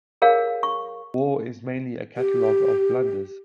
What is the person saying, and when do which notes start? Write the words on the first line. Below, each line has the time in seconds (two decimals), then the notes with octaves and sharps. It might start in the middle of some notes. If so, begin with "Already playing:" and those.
War is mainly a catalogue of blunders.
0.22 G#4 A#4 C#5 F5
0.63 C#6
2.17 G4